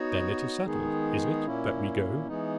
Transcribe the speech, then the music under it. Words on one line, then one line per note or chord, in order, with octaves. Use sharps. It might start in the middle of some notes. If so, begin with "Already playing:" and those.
"Then it is settled, is it, that we go?"
Already playing: B3 D#4 F#4 C#5
D#3 G#3 B3 D#4 G#4
A#2 A#3 C#4 E4
E3 G#3 B3 D#4